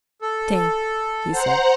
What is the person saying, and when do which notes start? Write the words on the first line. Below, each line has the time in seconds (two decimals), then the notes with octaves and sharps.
"Stay!" he said.
0.22 A4
1.30 C5 F#5 A#5